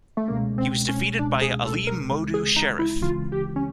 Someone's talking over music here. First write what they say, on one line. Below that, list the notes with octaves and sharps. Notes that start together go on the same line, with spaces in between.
He was defeated by Ali Modu Sheriff.
A3
C#2 B2 G#3 A#3 C#4
C4
C#4
C#2 B2 G#3 C#4 D4
G#4
A4
A#4
C#2 C#3 E3 G#3 C4
G#4
D#4
E4
C#2 C#3 E3 G#3 C4 F4
G4
C#4